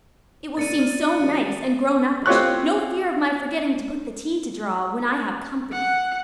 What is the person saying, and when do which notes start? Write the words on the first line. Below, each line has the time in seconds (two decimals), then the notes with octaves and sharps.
It will seem so nice and grown-uppish. No fear of my forgetting to put the tea to draw when I have company.
0.57 A#2 C#3 A#3 D5 A6 C#7 D#7
0.79 F6 D#7
1.20 D#3 F#3 A#3
2.26 C4 F4 G4 C#5 C#6 F#6
5.72 F#5